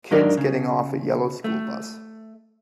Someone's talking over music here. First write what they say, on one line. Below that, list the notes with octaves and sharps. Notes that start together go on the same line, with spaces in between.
Kids getting off a yellow school bus.
G#2 F#3 D4 D#4 A#4 D5
C#3
A3